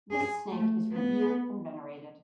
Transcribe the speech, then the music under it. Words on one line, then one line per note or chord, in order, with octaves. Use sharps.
This snake is revered and venerated.
G#4
A3
B3